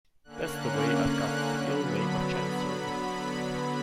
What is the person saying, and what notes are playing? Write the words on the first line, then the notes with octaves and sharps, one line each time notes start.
That's the way I've got the ill name of Chancery.
D3 A#3 C#4 F#6
F#6
D3 F#3 B3 B5